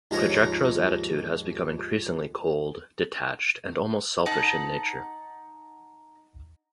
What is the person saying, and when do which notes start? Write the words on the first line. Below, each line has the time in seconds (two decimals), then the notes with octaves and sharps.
Projectra's attitude has become increasingly cold, detached, and almost selfish in nature.
0.11 D#2 G#2 F3 A#4 C#5 A#5
4.26 D#4 F#5 A5